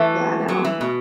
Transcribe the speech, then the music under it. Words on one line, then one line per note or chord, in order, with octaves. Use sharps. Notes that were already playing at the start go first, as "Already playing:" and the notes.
Yeah. I know, huh.
Already playing: E3 A3
F#3
E3
B2